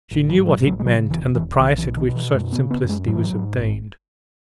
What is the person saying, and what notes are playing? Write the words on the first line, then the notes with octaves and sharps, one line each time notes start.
She knew what it meant, and the price at which such simplicity was obtained.
A1
E3
G#2
F#3
A1
F#3
G#3
C#3 F#3
E1 E3
E1 E3
B1 D#3
E3
B2
D#3
B2
E3
F#2 G#3
B3
C#3
B3
F#2
G#3
G#2 F#3
E3
F#3
G#2
G#1